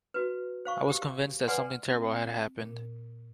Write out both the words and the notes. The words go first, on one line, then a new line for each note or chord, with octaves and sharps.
I was convinced that something terrible had happened.
F#4 B4
C5 F5 C#6
G4
A4 B4 D5 F#5 G#5 C6
C4
A#2